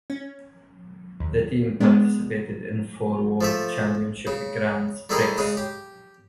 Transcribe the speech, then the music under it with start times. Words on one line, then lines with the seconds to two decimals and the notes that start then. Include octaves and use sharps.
The team participated in four World Championship Grands Prix.
0.10 C#4
1.20 D#2
1.80 G#3 B3 D4
3.41 F3 A3 E5
4.27 C#3
5.09 G3 A3 E4 G#4 A#4 D#5
5.38 C#3 G#3 D#6
5.57 G4